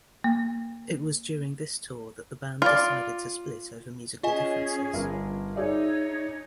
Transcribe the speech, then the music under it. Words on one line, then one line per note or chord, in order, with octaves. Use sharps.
It was during this tour that the band decided to split over musical differences.
A#3
F4 D5
C#4 F4 G#4 D#5 G#5
G1 A#4
D#4 G#4 C#5 D5 E5